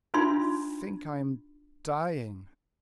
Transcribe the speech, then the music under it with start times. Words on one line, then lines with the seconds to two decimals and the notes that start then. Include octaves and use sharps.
"I think I'm dying."
0.14 D4 D#4 F4 E5 C6